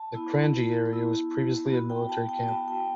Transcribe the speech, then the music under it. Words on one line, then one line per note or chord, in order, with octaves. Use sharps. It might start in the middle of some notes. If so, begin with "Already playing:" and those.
The Kranji area was previously a military camp.
Already playing: A5
B3 E4
B3 E4
B3 F#4
G5
A5
G5
B3 F#4 A5
G5